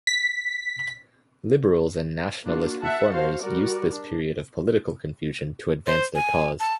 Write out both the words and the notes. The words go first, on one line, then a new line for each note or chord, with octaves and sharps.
Liberals and nationalist reformers used this period of political confusion to advance their cause.
B6
A#3 D4 F4 F#4
E5 F#5 A5
F#4 C5 F5
G3 F#4 A#4 D5
D4
C5
G#5
A5